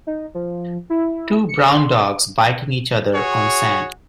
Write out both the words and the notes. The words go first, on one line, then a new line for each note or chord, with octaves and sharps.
Two brown dogs biting each other on sand.
D#4
F3
E4
C#7
C6
F#4 G#4 C#5